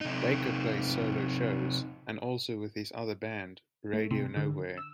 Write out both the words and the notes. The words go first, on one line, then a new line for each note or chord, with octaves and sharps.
Baker plays solo shows, and also with his other band, Radio Nowhere.
C3 D#4
A3
C3
D3
E6